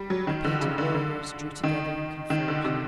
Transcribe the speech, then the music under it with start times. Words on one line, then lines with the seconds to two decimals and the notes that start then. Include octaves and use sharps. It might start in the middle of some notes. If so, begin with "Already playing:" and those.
The painted warriors drew together and conferred.
Already playing: G3
0.10 F#3
0.27 D#3
0.44 D3
0.61 C#3
0.78 D3
0.94 D3
1.63 D#3
2.30 D#3
2.48 D3
2.64 C3